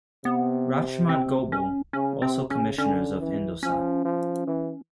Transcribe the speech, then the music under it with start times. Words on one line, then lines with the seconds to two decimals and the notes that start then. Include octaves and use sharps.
Rachmat Gobel also Commissioners of Indosat.
0.25 C3 B3
1.09 C4
1.52 C#4
1.93 C#3 C#4
2.22 C3 C4
2.50 C#3 C#4
2.78 D3 C#4
3.20 E3
3.63 F3 C#4
4.05 F3
4.47 E3